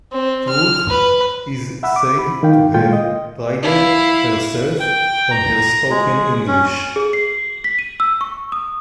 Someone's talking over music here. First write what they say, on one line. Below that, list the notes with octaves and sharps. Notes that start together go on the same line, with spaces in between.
Truth is said to have prided herself on her spoken English.
C4
F6
B4
E5 F#5 B5 E6
D6
B5
D#3 D#4 F5 G5
A#2 G#3 F4 G5
D#5
E4 F5
G5
A#5
G#3
C#4
G#4
C7
B6
D#7
E6
C#6
D#6